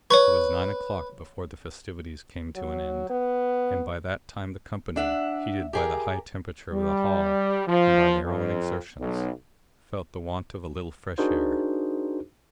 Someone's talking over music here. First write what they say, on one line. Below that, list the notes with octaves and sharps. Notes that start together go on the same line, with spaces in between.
It was nine o'clock before the festivities came to an end, and by that time the company, heated by the high temperature of the hall, and by their own exertions, felt the want of a little fresh air.
B4 C#5 C#6
F#3
B3
D4 E5 F#5
G4 G#4 A#4
G3
F3
F2
B1
D4 D#4 F#4 G#4 A#4 C5